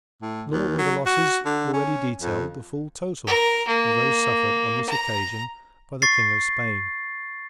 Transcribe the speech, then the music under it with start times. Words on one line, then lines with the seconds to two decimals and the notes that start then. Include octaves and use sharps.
Nor were the losses already detailed the full total of those suffered on this occasion by the King of Spain.
0.22 A2
0.52 D#2
0.78 F#3
1.06 F#4
1.45 D3
1.73 C#4
2.21 F2
3.26 A#4
3.68 A#3
4.89 A#5
6.02 C#6 A6 C7